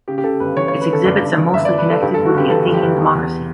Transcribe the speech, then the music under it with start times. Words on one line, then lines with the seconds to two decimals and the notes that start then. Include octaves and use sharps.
Its exhibits are mostly connected with the Athenian democracy.
0.08 C#3 G4
0.18 G4
0.24 C#3 A4
0.40 G1 B4
0.57 E3 C#5
0.68 C#5
0.73 C#3
0.81 B4
0.88 C#3 A4
1.06 G1 D5
1.21 G2
1.38 E3
1.53 G1 E5
1.65 D5
1.69 G1
1.78 B4
1.86 G1 A4
2.02 G2 G4
2.14 A4
2.18 G1
2.25 F#4
2.34 G1 G4
2.50 E3 A4
2.67 G1
2.74 G4
2.82 G1
2.98 E2
3.15 E2